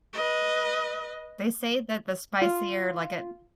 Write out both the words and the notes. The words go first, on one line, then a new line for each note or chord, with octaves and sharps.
They say that the spicier, like, it
B4 D#5
F4